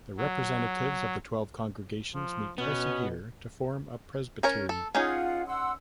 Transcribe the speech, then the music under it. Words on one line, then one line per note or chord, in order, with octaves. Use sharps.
The representatives of the twelve congregations meet twice a year to form a presbytery.
F#3
F3
B2 B3 C#4
C#4 A#4 C#5
A4
C#4 D#4 F4 G#4 F#5
F#5 C6 E6